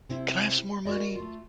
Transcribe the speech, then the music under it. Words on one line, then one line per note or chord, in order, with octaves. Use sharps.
can I have some more money?"
C3 C4 E4
F#4 A#4 D5 D#5
A3 F4